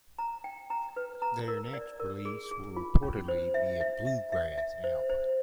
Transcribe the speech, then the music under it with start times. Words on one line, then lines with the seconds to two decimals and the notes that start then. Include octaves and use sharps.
Their next release will reportedly be a Bluegrass album.
0.18 A#5
0.44 G5
0.70 A#5
0.96 B4
1.22 A#5
1.48 A#4
1.73 D5
2.00 A#4
2.25 G#4
2.51 G#4
2.76 F4
3.03 C#4
3.28 C5
3.54 E5
3.81 E5
4.06 E5
4.32 E5
4.58 E5
4.84 C5
5.10 C5